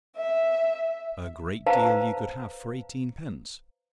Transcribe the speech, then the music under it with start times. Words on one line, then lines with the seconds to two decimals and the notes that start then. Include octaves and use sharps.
A great deal you could have for eighteenpence!
0.16 E5
1.66 B4 C5 F5 A5 A#5